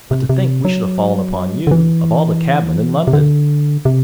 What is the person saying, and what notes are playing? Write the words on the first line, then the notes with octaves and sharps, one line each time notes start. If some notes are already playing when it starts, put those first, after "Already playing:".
But to think we should have fallen upon you, of all the cabmen in London!
C3
C3
F#3
D3
E3
C3
D3
C3